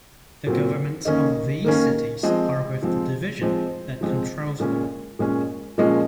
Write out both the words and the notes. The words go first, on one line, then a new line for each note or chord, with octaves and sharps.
The governments of these cities are with the division that controls them.
A#2 F#3 C4
D#3 A#3 C#4 D#5
D#3 A#3 C#4
F3 G#3 C4 D#5
F3 G#3 C4
F3 G#3 C4 C5
F3 G#3 C4
A#2 G#3 C#4
A#2 G#3 C#4
A#2 F3 G#3 C#4 D#5